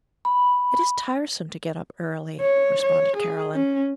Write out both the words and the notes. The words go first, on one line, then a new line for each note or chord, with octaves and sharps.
"It is tiresome to get up early," responded Caroline.
B5
C#5
C#5
G#4
C#4